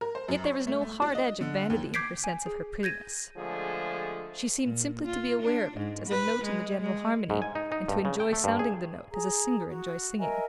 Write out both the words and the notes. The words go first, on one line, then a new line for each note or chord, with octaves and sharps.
Yet there was no hard edge of vanity in her sense of her prettiness: she seemed simply to be aware of it as a note in the general harmony, and to enjoy sounding the note as a singer enjoys singing.
A#4
C5
F#2
C#5
A3
A3
D4
D#5
D3
D#2
D6 G6 G#6 B6 C7 D7
G#5
G#4
G6 G#6 A#6 D#7
D3 F3 G#3 A3 G#4 A4
A#2
F4
D4
G#2
B4
G#3
G#3
G#2
G#5
D#4
D#4
G2
C#3
G5
A3
G2
G#4
G#4 A#5
F#4
A#4 D#5 E5 G#5